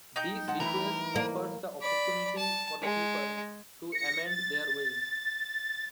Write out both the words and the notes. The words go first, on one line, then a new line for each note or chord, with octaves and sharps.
This request offers the opportunity for the people to amend their ways.
D#4 G5 G6
G#3 F#5 A5
E3 A3 E4 A#4
A#3
D5 B5
A5
G#3
A#6 C#7
A6